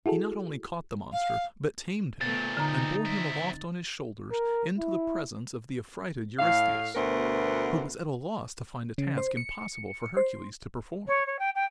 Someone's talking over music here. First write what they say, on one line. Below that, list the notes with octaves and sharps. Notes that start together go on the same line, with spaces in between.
He not only caught the monster, but tamed him, and bore him aloft on his shoulders, into the presence of the affrighted Eurystheus, who was at a loss to find a task impossible for Hercules to perform.
E4 F#4 G#4 A4
F5
A#2 A3 B3 C4 A6
D3 D#4 A#5
C4 E4
A#4
E4
A2 F5
D2 B2 A3 B3 A#4 C5
C#3
C5
C#7
C5
C#5
C#5
G5
G5